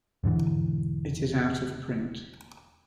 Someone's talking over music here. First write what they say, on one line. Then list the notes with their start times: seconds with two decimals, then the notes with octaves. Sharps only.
It is out of print.
0.24 E1 G#2 D3 E3